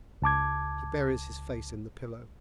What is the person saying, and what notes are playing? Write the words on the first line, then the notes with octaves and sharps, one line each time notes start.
He buries his face in the pillow.
C#2 A5 D6 G#6